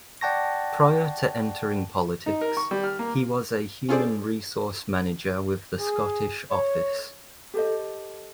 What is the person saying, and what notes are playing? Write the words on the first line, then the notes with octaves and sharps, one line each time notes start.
Prior to entering politics, he was a human resource manager with the Scottish Office.
D5 F#5 G5 A5 C#6 A#6
D#4
A#4
C#6
G3
F6
A#3
C#4 F4 G#4 A4 C5 D5
G#4
C#5
G4 A4 C5 D#5